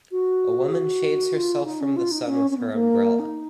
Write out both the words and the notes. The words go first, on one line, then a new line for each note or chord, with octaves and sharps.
A woman shades herself from the sun with her umbrella.
F#4
G#4
F#4
F4
D#4
C#4
F4
D#4
C#4
C#4
B3
A#3
D#4